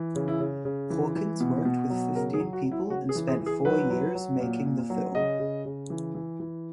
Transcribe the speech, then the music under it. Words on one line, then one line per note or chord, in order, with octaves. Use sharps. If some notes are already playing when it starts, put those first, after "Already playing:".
Hawkins worked with fifteen people and spent four years making the film.
Already playing: E3
C#3
E4
C#3
C#3
E3
E3
B2
B2
F#3
C#3 A#4
G#4
F#3
F#4
F#3
E4
C#3 F#4
G#4
E3
G#4
E3
G#4
F#3 B4
F#3
F#3
A#2
A#2
F#3
C#3 D#5
C#3
C#3
E3
E3
E3